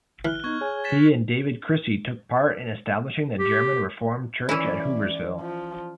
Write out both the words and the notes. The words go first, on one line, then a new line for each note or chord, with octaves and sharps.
He and David Crissey took part in establishing the German Reformed Church at Hooversville.
E3 F6 F#6 G7
B3 D#4 C#6 G#6
G#4 C#5 G#5
A6 B6 E7
G4
E3 C#4 E4 D5
F3